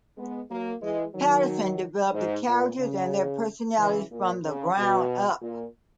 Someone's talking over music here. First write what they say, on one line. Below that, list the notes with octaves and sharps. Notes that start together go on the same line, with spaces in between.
Patterson developed the characters and their personalities from the ground up.
G#3 B3
F#3 A#3
E3 G#3
D#3 F#3
G#2
A#2
C#3
C#3 E3
A#2
C#3
B2
A#2